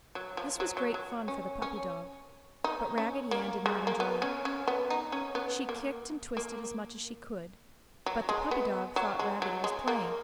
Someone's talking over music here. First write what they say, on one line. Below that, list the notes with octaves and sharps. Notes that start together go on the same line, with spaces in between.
This was great fun for the puppy dog, but Raggedy Ann did not enjoy it. She kicked and twisted as much as she could, but the puppy dog thought Raggedy was playing.
F#3
F3
F#3
F#3
F#3
C#4
C#4
D#4
C#4
A#3
G#3
A#3
B3
C#4
C#4
B3
D#4
C#4
B3
A#3
A#3
F#3
G#3
B3
F#3
G#3
F#3
G#3
A#3